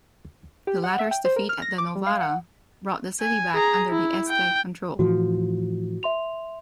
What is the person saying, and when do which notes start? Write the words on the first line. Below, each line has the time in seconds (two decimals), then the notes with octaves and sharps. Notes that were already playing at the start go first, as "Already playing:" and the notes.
The latter's defeat at the Novara brought the city back under the Este control.
0.67 G4
0.84 F#5
0.99 E5
1.11 G5
1.25 C5
1.36 A#4
1.49 F6
1.62 A#6
1.78 D6
1.95 G3
2.06 F5
2.21 F#5
3.21 G#5
3.54 G#4 A#5
3.90 E4
4.29 G5
4.99 A2 E3 F3 F#4
6.03 E5 C6 F7